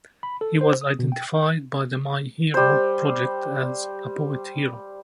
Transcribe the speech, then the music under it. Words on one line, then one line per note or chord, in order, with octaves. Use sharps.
He was identified by The My Hero Project as a poet hero.
B5
A4
C5
D#6
B2
G5
G3 C5